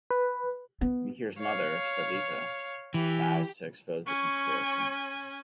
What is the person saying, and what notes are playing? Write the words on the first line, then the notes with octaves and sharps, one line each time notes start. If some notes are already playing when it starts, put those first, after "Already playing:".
Mihir's mother, Savita, vows to expose the conspiracy.
B4
B3
C#5 F5
E3 G4
C#4 G#5 C#6